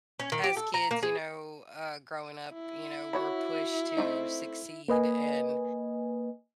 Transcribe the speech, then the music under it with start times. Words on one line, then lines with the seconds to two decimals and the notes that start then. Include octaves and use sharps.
as kids, you know, uh, growing up, you know, we're pushed to succeed and,
0.20 C#4
0.32 D#3
0.44 G4
0.57 A4
0.74 A#5
0.91 A#3
1.03 G#4
2.54 E4
3.13 F#4 C#5 B5
3.97 A3 C4 D#4
4.88 A#3 B4 D#5 G#5